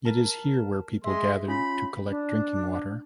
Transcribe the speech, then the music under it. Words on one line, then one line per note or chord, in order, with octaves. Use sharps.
It is here where people gathered to collect drinking water.
A#4 A5
G#3 E5 C6
C#4 F4 B5
D4